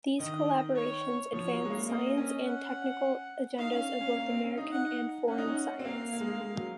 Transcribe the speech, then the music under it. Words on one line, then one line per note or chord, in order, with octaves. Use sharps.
These collaborations advance science and technical agendas of both American and foreign science.
D#3 D#5
C#5
F3 C#5
F#3
G#3
A#3
A#3 D#5
C4
C#4
F#5
D#4 F5
C#4
C#4
A#3
C4
C#4
D#4
F#5
C#4 F#5
D#4
C#4
C4
A#3 F5
A#3
G#3
A#3
G#3
F#3